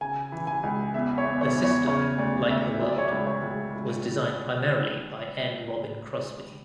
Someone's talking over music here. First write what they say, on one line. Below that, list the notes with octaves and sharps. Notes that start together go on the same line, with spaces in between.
The system, like the world, was designed primarily by N. Robin Crossby.
C#3 G#5
E3
G#5
C#2
E2 E5
C#5
E2
C#5
E2
C#5
C#3 C#5
D2 D5
D2 E5
F#3 E5
D5
C#5
C#2 D5
C#5
C#2
C#2